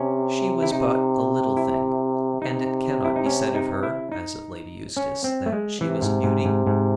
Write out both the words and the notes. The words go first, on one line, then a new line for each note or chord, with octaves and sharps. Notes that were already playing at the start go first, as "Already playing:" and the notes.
She was but a little thing;--and it cannot be said of her, as of Lady Eustace, that she was a beauty.
Already playing: C3 C#4
E4
C3 D#4
E4
C3 D#4
E4
D#4
C#4
D#4
E4
D#4
C#4
C4
A3
G#3
C3 E3
G#2
G#2
G#2
G#2